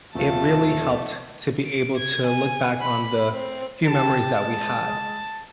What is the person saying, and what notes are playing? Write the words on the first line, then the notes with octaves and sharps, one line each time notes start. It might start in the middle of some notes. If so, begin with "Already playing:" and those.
it really helped to be able to look back on the few memories that we had,
D#1 F3 A3 F4 A5
D7
G#6
G#5
B5
C4
G4 A5
G#3